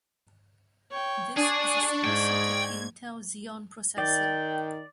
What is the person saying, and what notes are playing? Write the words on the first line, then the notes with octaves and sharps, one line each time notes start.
This is a single-socket Intel Xeon processor.
C#5 G5
D4 G#4 D5 C#6
G#2 G5 G#6
D#3 D5 G5